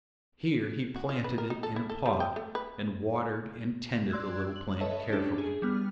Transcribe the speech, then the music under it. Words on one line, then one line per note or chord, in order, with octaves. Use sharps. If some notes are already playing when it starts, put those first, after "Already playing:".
Here he planted it in a pot, and watered and tended the little plant carefully.
F#4
F4
B4
A#4
D#4
A4
E4
A4
G3
G5
A3
B4
D5 C6 E6 F#6 G#6
F#7
A4 B4 C#5 D#5 E5 A5
C#4 D4 G4 A4
G#4
G3 B3 F6